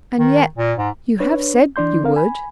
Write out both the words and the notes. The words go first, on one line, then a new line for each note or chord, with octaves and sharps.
"And yet you have said you would?"
D#3
A#2
G#2
D4 B4 C#5
E3 D4 D5 C6 G6
C4 A#4 F5
G#5 B5